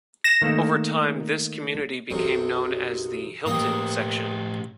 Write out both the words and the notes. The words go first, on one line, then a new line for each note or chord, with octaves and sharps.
Over time, this community became known as the Hilton section.
A#6 E7
D#3 A3 A#3
B1 F#2 C3
A2 A#3 C4 G4 D#6